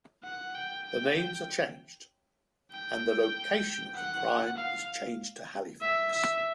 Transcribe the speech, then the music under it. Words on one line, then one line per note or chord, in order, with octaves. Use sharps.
The names are changed and the location of the crime is changed to Halifax.
F#5
G5
G5
G5
F#5
F5
E5
E5